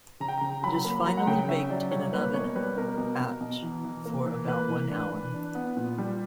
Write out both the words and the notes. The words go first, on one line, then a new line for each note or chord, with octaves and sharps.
It is finally baked in an oven at for about one hour.
C#3 A#5
G5
C#3 A#5
F#3 B5
A#3
F#3 A#5
F#5
C#3 G5
C#4 E5
F#3 D5
G3 C#5
A#3 B4
B2 C#5
G3 B4
B2 A#4
B2
B2
B2
E3
E3
A#3
E3
A#3 B4
E3
D4
E3
D4
B3
A#2
G3